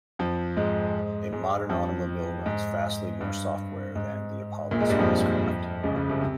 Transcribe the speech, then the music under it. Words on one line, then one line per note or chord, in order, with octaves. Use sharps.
A modern automobile runs vastly more "software" than the Apollo spacecraft.
F2 F3
G#2 G#3
G#2 G#3
F2 F3
G#2
G2
G#2
A#1 A#2
G#2 G#3
G2 G3
F2 F3
C#2 C#3
C#2 C#3
C2 C3
C3